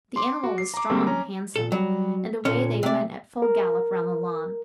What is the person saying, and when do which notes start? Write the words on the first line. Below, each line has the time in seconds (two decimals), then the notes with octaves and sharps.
The animal was strong and handsome, and away they went at full gallop round the lawn.
0.16 C6 D6
0.43 F#4
0.58 C7
0.74 A#5 D6
0.90 D3 G3 G#3 A#3 C4
1.07 C#4 A#5
1.56 A#2 A4
1.72 F#3 G3
2.45 A#2 D3 C#4
2.83 C3 A3 D5
3.42 A#4